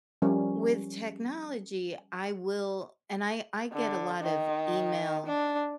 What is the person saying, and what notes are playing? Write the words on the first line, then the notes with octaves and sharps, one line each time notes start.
With technology, I will and I I get a lot of email
F3 G3 C#4 A#4
D3
D#3
D4